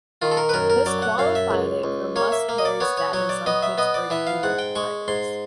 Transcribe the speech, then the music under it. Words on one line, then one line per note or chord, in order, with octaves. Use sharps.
This qualified it for "must-carry" status on Pittsburgh cable providers.
D#3 F4
A4
A#4
B4
F#2 A#4
A#4
F#3 D5
F#5
F#2 F5
E5
C#2
C#2
A#3 C#5
E5
A#3
D#5
D5
B3 C#5
C#5
F#3 C#5
D5
B3 D#5
E5
B3 D#5
D5
E3 E5
F5
G#2 F#5
G5
G#3 C#6
G#2 C6